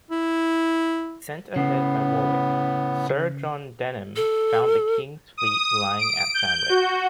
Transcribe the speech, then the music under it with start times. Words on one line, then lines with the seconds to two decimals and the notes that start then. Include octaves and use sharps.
Sent ahead by Warwick, Sir John Denham found the king's fleet lying at Sandwich.
0.11 E4
1.56 A2 C#3 B3
4.16 A4
5.37 D#6
5.99 D7
6.34 G6
6.69 F#4